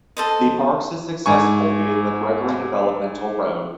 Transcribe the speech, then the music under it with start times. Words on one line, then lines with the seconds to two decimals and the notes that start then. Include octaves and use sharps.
The parks is accessible via the Gregory Developmental Road.
0.17 A4 C5 D#5
1.26 G#2 G#5 C#6